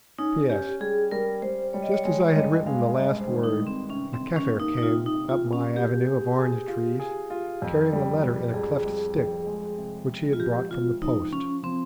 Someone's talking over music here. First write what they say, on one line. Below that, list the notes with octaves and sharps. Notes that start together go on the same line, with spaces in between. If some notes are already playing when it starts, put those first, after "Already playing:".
P.S.--Just as I had written the last word, a Kafir came up my avenue of orange trees, carrying a letter in a cleft stick, which he had brought from the post.
C#4 D#4
C#4 G4
G3 G#4
G3 A#4
G3 C5
G3 C#5
D#5
C#5
G#3 C#5
C#5
G2 D#5
G#3 F5
G2 D#5
C5
D#3
D#4
G2
C4
C3 C#4
C4
D#3
C#4
A#3
D#4
D#4
C3 F4
D#4
C3
F4
A#3
C#4
A#3 G4
G#4
G#4
F4
G#4
F4
F2
G3
G3
F2 G#4
G3
F2
G#3
C3
C3
F4
F3 G4
F3 F4
F3 D#4
F3 C#4
F3 C4